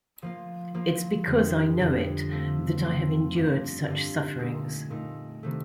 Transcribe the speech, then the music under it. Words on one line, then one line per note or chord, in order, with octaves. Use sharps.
It's because I know it that I have endured such sufferings.
F3 A#3 F4
F3 A#3 F4
F2 D3 G3
F2 D3 G3
F3 A3 C4
F3 A3 C4
G2 D3 G3 D4 F4
G2 D3 G3 D4 F4
A#2 A3 D#4 A#4
A#2 A3 D#4 A#4
C3 D#3 A3